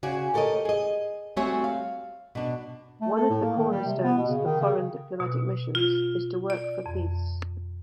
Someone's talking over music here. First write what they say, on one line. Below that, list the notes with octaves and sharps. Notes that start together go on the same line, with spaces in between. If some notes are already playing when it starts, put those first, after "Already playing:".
One of the cornerstones of foreign diplomatic missions is to work for peace.
C#3 F#4 D5 G#5
G4 A4 A#4 C#5 D#5
G#4 D#5
G3 A3 C4 F#4 C#5 G#5
F5
B2 D4
A3
A4
A2
A#3
D#3
G3
C3
B3
B2
C#3
D#3
C#3
B2
F4
D5
F2